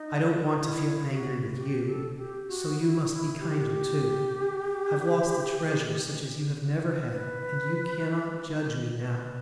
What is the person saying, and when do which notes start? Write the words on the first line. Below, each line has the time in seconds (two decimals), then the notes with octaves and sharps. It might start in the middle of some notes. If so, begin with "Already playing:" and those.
I don't want to feel angry with you, so you must be kinder, too, I've lost a treasure such as you have never had, and you cannot judge me now.
Already playing: D#4
0.62 E4
1.09 F#4
1.56 G4
1.86 A4
2.17 G4
2.48 F#4
2.79 E4
3.09 E4
3.40 G4
7.10 B4
8.97 B4